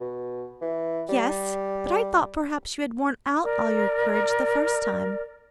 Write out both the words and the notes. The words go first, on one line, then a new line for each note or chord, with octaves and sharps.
"Yes, but I thought perhaps you had worn out all your courage the first time."
B2
E3
G3
A#4 D5